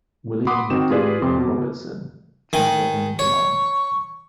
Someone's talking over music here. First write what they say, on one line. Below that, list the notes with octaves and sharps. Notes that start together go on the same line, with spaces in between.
William D. Robertson, Junior in command.
F#5 B5 C6 D6 D#6
D#3 C4 F#4 E7
F4 G4 G#4 B4 D5
F2 C3 C6 D6
B2
D#3 G#5
C#5 C#6